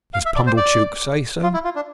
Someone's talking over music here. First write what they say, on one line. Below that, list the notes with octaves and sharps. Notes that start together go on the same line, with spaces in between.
"Does Pumblechook say so?"
F5
E5
D5
C5
D5
F4
E4
F4
D4